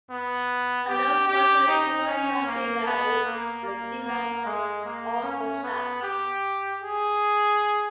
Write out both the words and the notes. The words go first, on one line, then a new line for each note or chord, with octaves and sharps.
A low-budget promotional video for the demo was also shot.
B3
G4
G4
D#4
C#4
A#3
B3
A#3
A#3
A#3
G#3
A#3
C#4
B3
G4
G#4